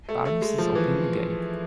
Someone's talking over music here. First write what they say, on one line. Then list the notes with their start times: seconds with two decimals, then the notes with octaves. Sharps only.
Barnes is openly gay.
0.09 A3
0.25 A3
0.42 G#3
0.58 F3
0.75 E3